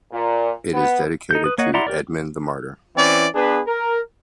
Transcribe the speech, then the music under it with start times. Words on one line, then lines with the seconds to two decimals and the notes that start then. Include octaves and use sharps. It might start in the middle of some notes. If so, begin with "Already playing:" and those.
It is dedicated to Edmund the Martyr.
0.11 A#2
0.73 B3
1.31 D#4 A4 G6
1.44 B4 D#6
1.58 A#3 C#5 D#5 F#5
1.74 E4 D5 F#5 A#5 C6
1.87 G4 A#4 D5
2.96 E3 C4 C#4 E4 D5
3.35 B3 D4 G#4 B4
3.67 A#4